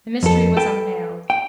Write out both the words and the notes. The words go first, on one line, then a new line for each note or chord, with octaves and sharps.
The mystery was unveiled.
F2 A4
A4 B4 G5
G5